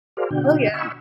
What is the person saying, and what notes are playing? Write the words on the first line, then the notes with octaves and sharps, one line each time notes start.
Oh, yeah.
F#4 G#4 A#4 C5 D5 F5
B2 D3 D4 F#4 G5
D#5 F#5 G#5 B5 C#6 E6